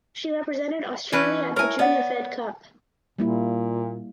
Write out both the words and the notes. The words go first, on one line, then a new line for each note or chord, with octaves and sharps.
She represented Australia at the Junior Fed Cup.
E3 C#4 B4
E4 A#4 C#5 G#5
B3 C#5 D5 F#5
A#2 G3 A#3 E4